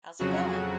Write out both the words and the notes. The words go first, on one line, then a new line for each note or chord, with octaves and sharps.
How's it going?
F2 C#3 F#3 F#4